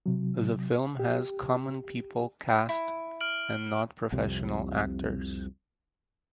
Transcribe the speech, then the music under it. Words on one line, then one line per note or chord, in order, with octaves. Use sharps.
The film has common people cast and not professional actors.
C3 F#3
G4
E4
F6 D7 F#7
C2 F2 C3